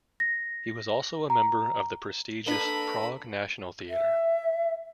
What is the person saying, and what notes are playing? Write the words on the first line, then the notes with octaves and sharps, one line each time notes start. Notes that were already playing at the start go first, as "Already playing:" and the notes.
He was also a member of the prestigious Prague National Theatre.
A#6
A#5
A#3 D4 A4 B4 B5
E5